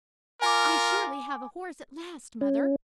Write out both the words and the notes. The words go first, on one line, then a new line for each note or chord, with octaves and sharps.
"I surely have a horse at last, mother."
F4 A#4 G#5 D6
C#4